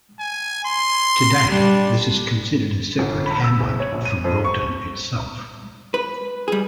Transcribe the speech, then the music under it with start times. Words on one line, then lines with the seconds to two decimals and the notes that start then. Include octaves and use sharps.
Today, this is considered a separate hamlet from Broughton itself.
0.19 G#5
0.65 C6
1.50 G3 D4
2.99 G1
3.26 B5
3.44 E6
3.61 F#1
3.80 C#5
3.92 A#1
4.05 D#7
4.24 F2
4.45 C#6
5.94 B4
6.48 G3 G#4